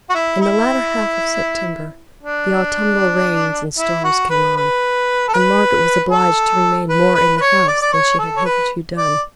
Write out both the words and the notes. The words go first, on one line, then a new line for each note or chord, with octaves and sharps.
In the latter half of September, the autumnal rains and storms came on, and Margaret was obliged to remain more in the house than she had hitherto done.
F#4
E4
E4
D4
E4
F#4
B4
B4
A4
B4
A4
B4
B4
B4
C#5
D5
D5
C#5
A4
C#5
B4
D5